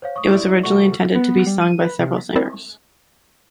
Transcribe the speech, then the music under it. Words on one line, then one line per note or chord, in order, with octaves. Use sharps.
It was originally intended to be sung by several singers.
C5 C#5 F5
C#6 D#6
F#2 E4 D5
C2 A3 F#4 C#6
B3
G3
D#7
B4
C3
C4 E4 A#4 C5 D5